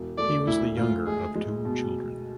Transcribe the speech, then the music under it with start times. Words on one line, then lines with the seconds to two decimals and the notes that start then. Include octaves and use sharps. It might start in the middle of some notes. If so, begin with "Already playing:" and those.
He was the younger of two children.
Already playing: E1
0.18 A3 D5
0.47 D2 E4
0.77 D2 F4
1.06 G#3 G#4
1.35 G#3
1.65 B2